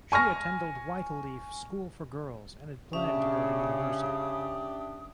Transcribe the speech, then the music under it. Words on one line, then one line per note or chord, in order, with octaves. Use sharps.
She attended Whyteleafe School for Girls and had planned to go to university.
G#5 C#6 F6 A#6
C#3 C#4 D4 G4 E5 D#6